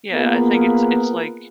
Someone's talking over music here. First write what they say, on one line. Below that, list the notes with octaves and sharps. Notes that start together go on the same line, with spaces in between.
Yeah, I think it's it's like,
A#3 B3 F4 G#4 A#4 B4